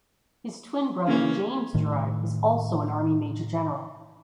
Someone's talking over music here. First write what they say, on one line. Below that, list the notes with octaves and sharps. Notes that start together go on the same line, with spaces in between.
His twin brother James Jarrard is also an army major general.
C#3 E3 A#3 C#4
A2 D#3